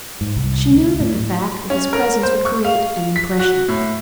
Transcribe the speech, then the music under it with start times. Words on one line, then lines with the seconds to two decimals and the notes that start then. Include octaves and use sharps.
She knew that the fact of his presence would create an impression.
0.21 G#2
0.36 C2
0.71 D2
1.00 A2
1.70 C#4
1.93 A#4
2.23 C5
2.45 C#6
2.65 F5
3.16 B6
3.39 F#4
3.69 A2